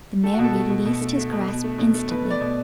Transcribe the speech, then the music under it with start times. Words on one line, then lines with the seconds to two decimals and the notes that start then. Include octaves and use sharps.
The man released his grasp instantly.
0.23 A3 A4
0.33 F#4
0.39 B2
0.44 A4
0.54 A3
0.70 B2
0.85 B2
1.01 A3
1.17 A3
1.32 B2
1.48 B2
1.64 A3
1.78 B2
1.94 A3
2.09 B2 B4
2.25 A3
2.30 D5
2.41 B2